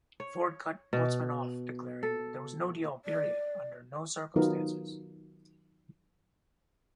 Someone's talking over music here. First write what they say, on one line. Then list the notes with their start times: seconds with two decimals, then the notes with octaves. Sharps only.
Ford cut Holtzman off, declaring, There was no deal, period, under no circumstances.
0.20 C#5
0.93 B2
2.03 A4
3.05 D5
4.36 D#3 F#3 B3 D#4 F4 A#4